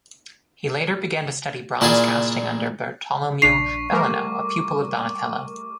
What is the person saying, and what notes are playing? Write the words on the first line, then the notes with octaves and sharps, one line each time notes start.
He later began to study bronze casting under Bartolomeo Bellano, a pupil of Donatello.
A#2 E4 F4 G#4 D5 C6
A#1 D4 C#6 B6 C7 F7
G3 A3 A#4 D6